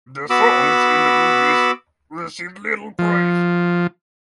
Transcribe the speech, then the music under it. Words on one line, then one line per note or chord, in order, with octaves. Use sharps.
The songs in the movies received little praise.
B3 F#4 B5 D6 E6
F3